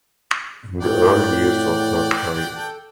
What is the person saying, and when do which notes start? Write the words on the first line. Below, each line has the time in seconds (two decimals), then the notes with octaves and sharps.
In the early years of her career.
0.81 A2 D5 F#5 G5
2.55 A4